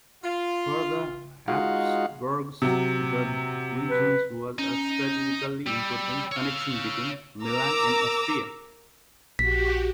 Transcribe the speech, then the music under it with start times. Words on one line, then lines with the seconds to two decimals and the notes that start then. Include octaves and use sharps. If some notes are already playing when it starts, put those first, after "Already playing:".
For the Habsburgs, the Grisons was a strategically important connection between Milan and Austria.
0.24 F4
1.48 G#3 D#4 F4 F#4 F5 F#5
2.62 C3 F#3
3.89 B4
4.59 C#4 D#4
5.67 G3 E6
6.32 C#5 F5
7.44 A#4 A#5 D6 E6
9.39 A#1 F#4 G4 B6